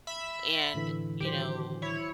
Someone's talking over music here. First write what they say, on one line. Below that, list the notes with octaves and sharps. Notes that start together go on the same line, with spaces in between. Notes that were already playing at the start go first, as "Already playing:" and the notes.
and, you know
E5 B5
A2 D3 E3
D#3 F#3 G4 C5
E4 C#5